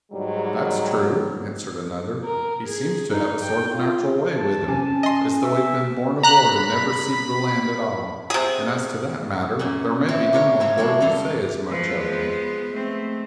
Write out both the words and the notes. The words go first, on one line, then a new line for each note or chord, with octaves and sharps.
"That's true," answered another; "he seems to have a sort of natural way with him, as though he'd been born aboard and never seed the land at all; and as to that matter, there may be them on board who say as much of him."
G#2 D#3 F#3 G3
A#4
G#4
D#4
G5
F4
A5
C3 C#4 G#5
D#5 C6
E5
A#5 B5 F#6
C3 G#4
A#2 C#4
C4 E4 F4 C#5
G4 A#4 C#5
G2 C4 F4 E5 G#5
G#3 D4 E4 C#5 G5
E2 G2 D#4 A4 A#5 C6
F3 G#3 B3 B4
A3 C4